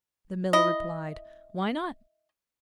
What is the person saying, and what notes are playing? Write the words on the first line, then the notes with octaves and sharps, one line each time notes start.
The miller replied, 'Why not?
E4 D#5